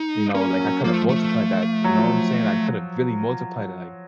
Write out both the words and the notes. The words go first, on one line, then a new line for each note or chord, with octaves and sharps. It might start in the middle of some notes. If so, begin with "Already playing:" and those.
you know, like, I could have multiplied that, you know what I'm saying? I could have really multiplied it, like,
Already playing: D#4
A#3 C#4
F#3
F3 A#3
A3
A3
F#3
F3